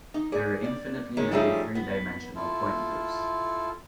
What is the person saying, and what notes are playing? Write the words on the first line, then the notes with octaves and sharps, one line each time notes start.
There are infinitely many three-dimensional point groups.
D#4
G#4 D5
D5
D#3 G#3 C#4 D#4
F3 G3 A3 C#4 D#4 G#4
B3
E4 F4 A4